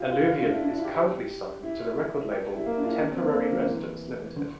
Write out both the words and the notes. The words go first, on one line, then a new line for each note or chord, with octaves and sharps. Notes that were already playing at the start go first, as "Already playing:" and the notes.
Eluvium is currently signed to the record label Temporary Residence Limited.
Already playing: F4 G4
F4
F4
F4
D4
E4
D4
E4
F4
G4
E4
G4
E4
A#3
D4
F4
E4
D4
C4
A#3
A#3
F3
D3
E3
D3